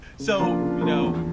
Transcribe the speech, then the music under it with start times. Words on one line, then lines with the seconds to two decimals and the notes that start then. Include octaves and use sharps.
so, you know,
0.20 C#3
0.40 F3 A#3 D4 F4
0.61 C#3
0.81 F3 A#3 D4 F4
1.02 E2